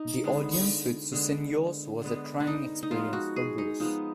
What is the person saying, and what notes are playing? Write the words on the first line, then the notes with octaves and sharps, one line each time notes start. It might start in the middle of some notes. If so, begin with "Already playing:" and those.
The audience with Susenyos was a trying experience for Bruce.
Already playing: D#4
D3 G#3 B3
D3 G#3 B3
D3 G#3 B3
D4
D#4
D#4
F3 G#3 B3 F4
F#4
G#4
D#4
F3 G#3 B3 D#4